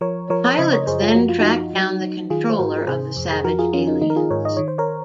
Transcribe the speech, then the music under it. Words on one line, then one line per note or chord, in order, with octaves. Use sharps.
The pilots then track down the controller of the savage aliens.
F3 A#4 C#5
F3 A#4 C#5
A#4 C#5
C#3 C5 D#5
A#4 C#5
F#2 G#4 C5
F4 G#4
F3 F#4
F4
F3 D#4 F#4
F#3
F#3
D#3 F4 G#4
C5
G#2 F#4 A#4
A#4
C3 G#4 C5
F2
G#4
F3 F#4 A#4
F4 G#4
F3 C#4 F4
D#4
D#3 D#4
A#4
F4 G#4
G#2 A#4 C#5
D#5
D#3 C#5
C5
A#4 C#5